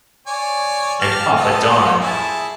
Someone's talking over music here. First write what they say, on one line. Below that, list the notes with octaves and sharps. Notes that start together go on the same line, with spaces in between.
And up a dime.
C#5 D5 G#5
G4 A5 F6
B3 A4 D#5
E4 G#4 A5